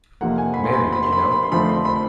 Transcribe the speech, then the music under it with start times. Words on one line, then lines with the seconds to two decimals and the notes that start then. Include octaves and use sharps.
Mary, Did You Know?
0.21 F2 C3 F3 A#3 F#5
0.38 G#5
0.54 B5
0.64 C6
0.73 B5
0.83 C6
0.93 B5
1.03 C6
1.13 B5
1.22 C6
1.32 B5
1.43 C6
1.52 F2 D3 F3 A3 C4 B5
1.69 C6
1.85 B5